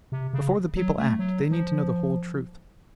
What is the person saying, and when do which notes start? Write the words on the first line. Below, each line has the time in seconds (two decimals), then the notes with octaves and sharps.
Before the people act, they need to know the whole truth.
0.12 C3
0.33 C#3
0.76 F#3
0.98 A3
1.19 F#3
1.51 F3